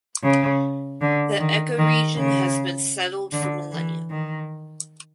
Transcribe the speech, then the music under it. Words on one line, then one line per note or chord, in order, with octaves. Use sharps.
The ecoregion has been settled for millennia.
C#3
D3
D#3
D#3
C#3
D3
E3
D#3